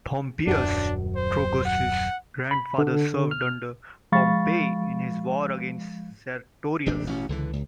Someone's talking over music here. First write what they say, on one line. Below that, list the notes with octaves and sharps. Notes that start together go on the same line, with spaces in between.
Pompeius Trogus's grandfather served under Pompey in his war against Sertorius.
D#1 F#2 F#3 D4
C5
F#5
B5
D3
F6
F3 G#3 F5 B5 C#6 A6
D#1 G#1 C3 D4
A1 B2 C#4
C#2 D3 E3
C#2